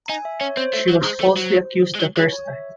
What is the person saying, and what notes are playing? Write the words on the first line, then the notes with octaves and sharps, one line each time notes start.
She was falsely accused the first time.
D#4 G#5
E5
C#4 C#5
C4 C5
A3
F#3
G#3
A3
F#3
G#3
F#3
G#3 C#5
C#5
E5